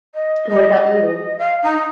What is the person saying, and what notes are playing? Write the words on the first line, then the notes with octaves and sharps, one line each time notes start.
And what about you?
D#5
D#5
F5
D#4